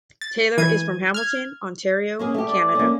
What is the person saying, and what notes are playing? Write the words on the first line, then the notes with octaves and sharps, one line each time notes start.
Taylor is from Hamilton, Ontario, Canada.
A6
E3 G#6 D#7
F6 G#6
A#3 C#4 G#4
A3 G4
D5
A#3 C#4